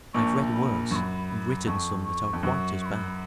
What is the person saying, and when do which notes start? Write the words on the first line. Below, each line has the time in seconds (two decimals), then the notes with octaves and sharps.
I've read worse and written some that are quite as bad.
0.14 A#1 A#2 C#6
0.53 B5
0.91 F#2 C#6
0.96 B5
1.29 B5
1.67 F2 C#6
2.05 C#6
2.33 F2
2.43 F#2 C#6
2.81 C#6
2.86 B5